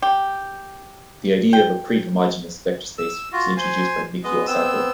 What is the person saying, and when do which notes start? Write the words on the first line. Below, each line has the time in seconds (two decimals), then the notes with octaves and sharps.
The idea of a prehomogeneous vector space was introduced by Mikio Sato.
0.02 G4
1.53 G5
2.98 E6
3.32 F4 F#4
3.57 C5 G#5
4.24 G#3 B3 D#5
4.47 B3 C4 E6